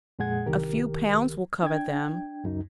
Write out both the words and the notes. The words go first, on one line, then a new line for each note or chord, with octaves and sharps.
A few pounds will cover them.'
F2 A#2 G#3 G#4 F#5 G#6
C2 D#3 G4 A#4
D4 G5 G#6
C#2 F#2 D#4